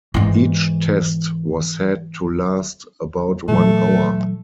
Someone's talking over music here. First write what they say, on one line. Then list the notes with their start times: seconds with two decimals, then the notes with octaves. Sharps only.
Each test was said to last about one hour.
0.14 G#2 E3
3.48 A#2 E3 F#3 A3